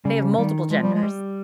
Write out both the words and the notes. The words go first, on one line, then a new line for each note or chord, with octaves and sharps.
They have multiple genders.
C#3 G3
F3
D#3 G3
F3 G#3
G3
G#3
G3